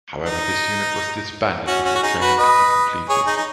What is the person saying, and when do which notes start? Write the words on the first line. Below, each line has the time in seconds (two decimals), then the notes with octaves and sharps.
However, this unit was disbanded before training could be completed.
0.26 D#4
1.67 C#4 F#4
1.85 C#4 F#4
1.95 F#4
2.03 D#4 G#4
2.21 F#4 B4
2.38 B4 D#5
3.09 G#4 C#5
3.27 D#4 G#4
3.37 D#4